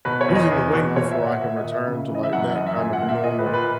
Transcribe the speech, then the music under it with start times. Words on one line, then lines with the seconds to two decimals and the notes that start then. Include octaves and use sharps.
losing the weight before I can return to, like, that kind of normal,
0.05 B2 B4
0.21 C#5
0.28 E2
0.35 D#5
0.51 E2
0.73 B2
0.96 A#2 C#5
1.11 E5
1.19 A#2
1.26 F#5
1.41 A#2 E5
1.57 D#5
1.64 A#2
1.72 E5
1.87 C#3
2.10 E3 D#5
2.23 E5
2.33 F#2 F#5
2.44 E5
2.55 F#2 D#5
2.66 E5
2.78 A#2 G#5
2.93 F#5
3.01 A#2
3.08 E5
3.23 A#2 D#5
3.39 B4
3.46 A#2
3.53 B4